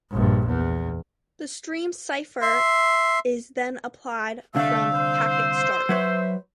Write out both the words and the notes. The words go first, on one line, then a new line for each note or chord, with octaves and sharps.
The stream cipher is then applied from packet start.
A#1 G2
E2
E5 C6
C2 D3 A3 D4 F5 E6
C5
F#3 B4 C#5 E5